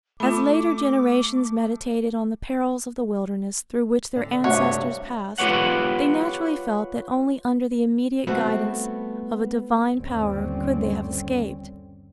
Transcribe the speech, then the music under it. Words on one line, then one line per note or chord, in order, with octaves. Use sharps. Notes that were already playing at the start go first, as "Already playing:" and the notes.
As later generations meditated on the perils of the wilderness through which their ancestors passed, they naturally felt that only under the immediate guidance of a divine power could they have escaped.
A3 F4 B5 D6
D3
G2 C3 A3 F#4 C#5
F4 G4 B4 C#5 F#5
G3 A3 B3 C4 F#4 B4
G1 D#2 D3 G3 C4 C#4